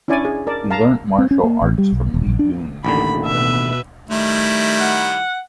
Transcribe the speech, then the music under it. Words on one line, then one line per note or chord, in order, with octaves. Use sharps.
He learnt martial arts from Li Yun before.
C#4 D4 E4 D5 G#5 C#6
G#4
A#4 D5 A5
F5 A5 A#5
C4
C#4
A#3
A1
G3
B1
D#1
A#1
D4
A1 D#2 D3 B5
B2 B4 E5
D#3 G3 A3 E4
F#5